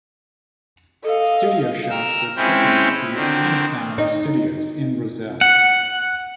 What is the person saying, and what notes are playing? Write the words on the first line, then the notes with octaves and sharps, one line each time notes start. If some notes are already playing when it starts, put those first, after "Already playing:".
Studio shots were taken at the Cinesound Studios in Rozelle.
A4 D#5 F5
A#4 E6
G#3 C4 C#4 E4 G5
D3 D#3 C4
D#4
F#5